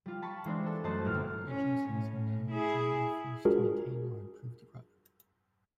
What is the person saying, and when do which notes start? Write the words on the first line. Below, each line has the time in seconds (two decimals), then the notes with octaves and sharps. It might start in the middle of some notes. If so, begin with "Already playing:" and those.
Local agencies are now generally forced to maintain or improve the road.
0.06 G3 F4
0.22 A5 B5 C#6 A6
0.45 E3 G#3 C4 D4
0.63 D4 A4
0.84 F#2 A3 C5 D#5 A5 F#6
1.05 G1 A#2 E4 F6
1.48 C#4
1.89 A2
2.51 E4 G#4
3.45 G#3 D4 F4 F#4 G#4 A#4